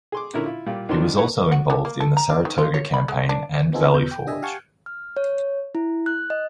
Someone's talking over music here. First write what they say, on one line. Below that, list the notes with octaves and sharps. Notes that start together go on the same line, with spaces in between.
He was also involved in the Saratoga campaign and Valley Forge.
G#4 C6 D6
A#2 D3 C#4 E4 A#4
E4 F4
A#2 G3 F4
D#2 D#3 F3 F#3 D4 C6
D#4 E4 B4 C#5
F#4
D3
A#3
A4
A#5
D4
D#3
F4
C#5
B5
G#3
D4
B3 C4 D#4 F4 G#4 A4
E2 B2 G6
G5
D4 G4 D#5 E5 G#5
G4 F5 F#5 G#5 A5 C#6
F6
C#5
E4
F#6
D#5